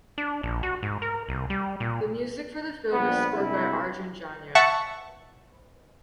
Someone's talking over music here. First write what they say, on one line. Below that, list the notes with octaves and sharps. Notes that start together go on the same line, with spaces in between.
The music for the film is scored by Arjun Janya.
D4
A#1
F#4
G#2
A#4
C2
G3
A#2
A#1 G3 B3
G2 C3 G3 G#3 E4
E5 F#5 A5 C#6 F#6